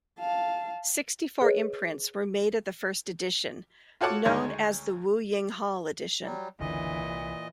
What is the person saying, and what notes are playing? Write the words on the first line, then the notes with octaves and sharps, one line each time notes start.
Sixty-four imprints were made of the first edition, known as the Wu-ying Hall edition.
F5 A5
G#4 B4 C#5 D#5
F4 F#4 A4 C#5 F#5 D6
D2 D#3 G#3 C#5
F#3 G3
F#1 C#2 A#2 D3 E3 D#5
C2